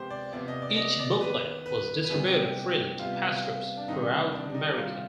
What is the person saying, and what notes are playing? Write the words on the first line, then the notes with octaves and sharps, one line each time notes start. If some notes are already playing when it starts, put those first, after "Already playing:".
Each booklet was distributed freely to pastors throughout America.
Already playing: C3 F3 G#3 B3 G4 C5
D5
C3 F3 B3 D5
D#5
D5
D#5
D5
D#3 B3 B4
B4
B4
C3 G3 B3 G#4
G4
C3 G3 B3 F4
D4
C3 D#3 G3 C4 D#4
D4
D4
D#4
D#4
C3 D#3 G3 F4